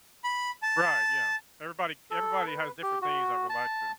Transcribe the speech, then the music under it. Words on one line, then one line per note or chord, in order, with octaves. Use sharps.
Right, yeah. Everybody everybody has different things that relax them.
B5
A5
A4
B4
G4
F#4
A5